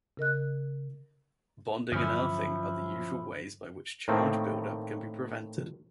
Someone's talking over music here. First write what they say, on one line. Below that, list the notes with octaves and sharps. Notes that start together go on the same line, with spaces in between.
Bonding and earthing are the usual ways by which charge buildup can be prevented.
C#3 A#4 D#5 F#6
G2 D3 F3 F#3 C#4 E4
A2 D#3 A3 A#3 C4 D#4